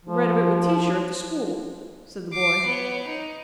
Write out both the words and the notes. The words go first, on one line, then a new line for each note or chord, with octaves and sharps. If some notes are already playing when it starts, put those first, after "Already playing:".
'Read of it with teacher at the school,' said the boy.
F3
D6 C7
B3 C#5
D#4